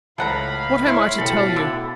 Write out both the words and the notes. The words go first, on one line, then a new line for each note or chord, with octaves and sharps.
What am I to tell you?
C#2 A2 A4 F5 F#5 A#5 B5
E4 C#5 C6
B2 A4 F#5 G5
D3 D4 E4